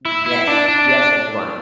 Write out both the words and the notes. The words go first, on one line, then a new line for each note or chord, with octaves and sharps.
Yes, yes, that's right.
E4
E4
D4
D4
D4